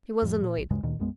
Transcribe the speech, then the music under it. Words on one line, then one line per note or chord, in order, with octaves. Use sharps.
He was annoyed.
F2 A2 F3
A#2
B1
D2 G2 C#3 G#3
D2 A#2 D#3
B1 F#2 G#3 B3